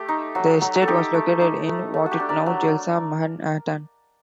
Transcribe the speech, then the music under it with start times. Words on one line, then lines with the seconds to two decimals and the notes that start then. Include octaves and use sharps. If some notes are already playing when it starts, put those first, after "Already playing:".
The estate was located in what is now Chelsea, Manhattan.
Already playing: A3 G4
0.09 D#4
0.35 F#3
0.61 F#3
0.82 A4
0.88 D#4 G4
1.14 A3
1.41 D#4
1.68 A3
1.94 A3
2.06 F#4
2.11 G4
2.20 D4
2.29 A#4 D5
2.46 F#3